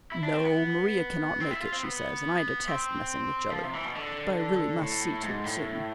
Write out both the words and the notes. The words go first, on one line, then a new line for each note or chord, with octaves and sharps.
"No. Maria cannot make it, she says, and I detest messing with jelly. But I really must see to it soon."
E4
D4
C4
B3
C4
E4
F4
C4
B3
C4
F3
C3
E3
B2
D3
A2
G#2
A2